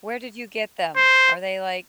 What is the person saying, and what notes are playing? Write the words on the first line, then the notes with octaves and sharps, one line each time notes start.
Where did you get them? Are they, like,
C5